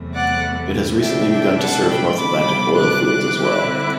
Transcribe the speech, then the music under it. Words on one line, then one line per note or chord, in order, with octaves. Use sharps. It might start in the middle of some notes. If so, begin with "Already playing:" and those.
It has recently begun to serve North Atlantic oil fields as well.
Already playing: E2 C3 F#3 A3
D5 F#5
C3 E3 A3 D4 E5 G5
E5 G5
F#5 A5
G5 B5
C3 G3 B3 D4 B5 D6
D6 F#6
D6 F#6
D3 G3 C4 E4